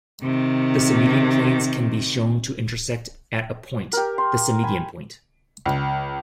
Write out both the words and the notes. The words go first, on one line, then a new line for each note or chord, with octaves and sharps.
The symmedian planes can be shown to intersect at a point, the symmedian point.
C3 D#3
G4 A#4
C6
G#5 B5
C#2